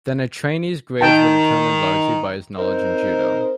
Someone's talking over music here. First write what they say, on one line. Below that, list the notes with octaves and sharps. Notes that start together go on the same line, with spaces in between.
Then a trainee's grades were determined largely by his knowledge in judo.
D#3 G5 A5
C4 D#4 A#4 C5